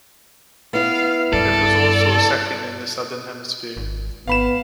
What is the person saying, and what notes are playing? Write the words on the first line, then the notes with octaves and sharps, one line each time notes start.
It was also second in the Southern Hemisphere.
B3 E4 F5
G2 A4 D5
G#1
G#1 B3 F5 B5 E7